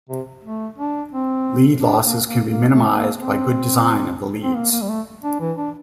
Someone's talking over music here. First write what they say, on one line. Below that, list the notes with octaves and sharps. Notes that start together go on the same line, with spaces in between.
Lead losses can be minimized by good design of the leads.
C3
A3
D4
C4
D4
A#3
A#3
A#3
A3
A#3
C4
C4
A#3
A#3
G3
A3
D4
E3
D4